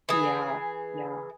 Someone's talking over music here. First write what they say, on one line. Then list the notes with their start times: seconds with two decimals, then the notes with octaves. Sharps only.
Yeah, yeah.
0.09 E3 G#4